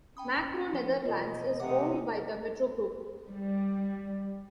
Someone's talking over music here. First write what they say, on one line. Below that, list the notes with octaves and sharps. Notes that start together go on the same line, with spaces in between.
Makro Netherlands is owned by the Metro Group.
C#4 G5 B5 D#6
F3 C5
E2 B2 G#3 F4 D#5
C3 A3 D#4 F#5 D6
G3